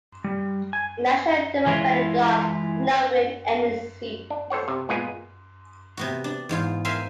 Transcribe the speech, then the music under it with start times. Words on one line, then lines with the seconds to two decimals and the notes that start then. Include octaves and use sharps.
The National Democratic Block did not win any seats.
0.24 G3
0.73 G#5
1.66 E3 G#3 E4 F4
4.30 D4
4.50 A4 C5 C#5 F#5
4.68 C3
4.89 A#2 G#3 B3 F4 G#5
5.97 C3 B3 F#4
6.24 D4
6.49 E2 G#2 F4
6.85 A#4 C5 E5 F5 G#5 C6